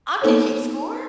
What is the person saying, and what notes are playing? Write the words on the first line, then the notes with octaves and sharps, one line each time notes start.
I can't keep score.
A#3 B3 D#4 A4 C5 C#5